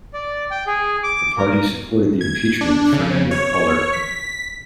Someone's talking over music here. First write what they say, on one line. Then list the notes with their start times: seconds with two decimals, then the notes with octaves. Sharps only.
The party supported the Impeachment of Fernando Collor.
0.14 D5
0.51 G5
0.67 G#4
1.03 D6
1.38 A#4
2.21 G#6
2.61 D4
2.93 C#3
3.31 C#5
3.93 B6